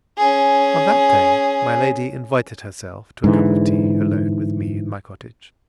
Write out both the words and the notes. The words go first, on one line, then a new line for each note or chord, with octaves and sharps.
On that day, my lady invited herself to a cup of tea alone with me in my cottage.
C#4 G#4
G#2 D3 E3